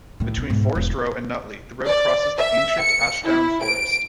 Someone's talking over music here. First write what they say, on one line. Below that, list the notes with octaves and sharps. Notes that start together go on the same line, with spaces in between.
Between Forest Row and Nutley the road crosses the ancient Ashdown Forest.
A2 D#3
B2
G#2 B2
E1
D5
E5
C#7
E4
D7